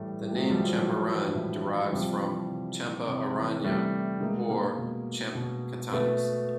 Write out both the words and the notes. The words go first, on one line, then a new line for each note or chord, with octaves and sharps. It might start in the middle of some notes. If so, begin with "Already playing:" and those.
The name Champaran derives from "Champa-aranya" or "Champkatanys".
Already playing: A2 E3 G3 A3
A2 G3 A3
F#3 G#3
E3 F3 G3
F3
A2 F#3
E3
A2
E3
C3 F3 G3
E3
C3
E3
C3
E3
C3 G3 A3
E3
B2 G#3 A#3
G#3 A#3
B2
B2
B2 A3 B3